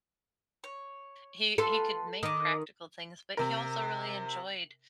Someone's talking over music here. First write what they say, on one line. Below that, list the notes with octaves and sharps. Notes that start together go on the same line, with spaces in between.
He he could make practical things, but he also really enjoyed
C#5
F4 A4 B4 C6
D#3 D#5 D6
C3 A#4